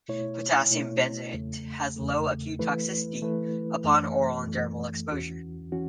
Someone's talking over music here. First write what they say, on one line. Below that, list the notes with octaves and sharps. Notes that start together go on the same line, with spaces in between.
Potassium benzoate has low acute toxicity upon oral and dermal exposure.
B2 A3 E4 C#5
B2 A3 E4 C#5
E2 C#3 A3
E2 C#3 A3
E3 A3 E4 B4
E3 A3 E4 B4
F#2 E3 A3
F#2 E3 A3
E2 E3 C#4 F#4
E3 C#4 F#4